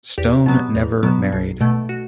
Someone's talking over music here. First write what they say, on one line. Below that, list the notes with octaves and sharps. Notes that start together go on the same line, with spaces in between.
Stone never married.
E2 G4
B2 F#3 B3
E2
B2 F#3 B3
B1
B2 A3
F#4